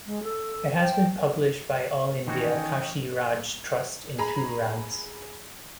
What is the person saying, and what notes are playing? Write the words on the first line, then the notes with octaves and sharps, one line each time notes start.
It has been published by All India Kashiraj Trust in two rounds.
G#3
A4
G5
D#3 E3 C#4 F#4 D#5 G5 G#5
G#4 A#5 B5